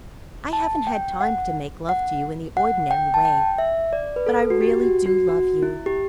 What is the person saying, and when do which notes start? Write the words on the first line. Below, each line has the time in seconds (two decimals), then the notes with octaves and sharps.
I haven't had time to make love to you in the ordinary way, but I really do love you.
0.53 A5
0.87 G5
1.21 F#5
1.89 F#5
2.57 F#5
2.91 G5
3.14 A5
3.25 G5
3.58 E5
3.93 D5
4.16 B4
4.26 A4
4.50 F#4
4.61 G4
4.83 F#4
5.06 F#4
5.29 F#4
5.63 E4
5.86 G4